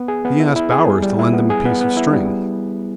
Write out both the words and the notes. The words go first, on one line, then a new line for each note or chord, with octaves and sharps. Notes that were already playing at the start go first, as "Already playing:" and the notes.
He asked Bowers to lend him a piece of string.
Already playing: B3
G#4
B3
E4
E4
G#4
G3
G3
E4
B3
G#4
B3
B3
E4
G3